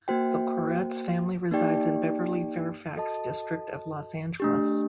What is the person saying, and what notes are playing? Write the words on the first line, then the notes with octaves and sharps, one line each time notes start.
The Koretz family resides in the Beverly-Fairfax District of Los Angeles.
A#3 F#4 C5 G5
A#3 D#4 G4 D5 G5
F#4 A4 D#5 A5
A3 D4 G4